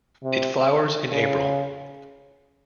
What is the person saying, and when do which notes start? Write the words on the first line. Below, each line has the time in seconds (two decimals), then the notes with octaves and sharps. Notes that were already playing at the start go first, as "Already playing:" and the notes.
It flowers in April.
0.23 C3
1.11 C#3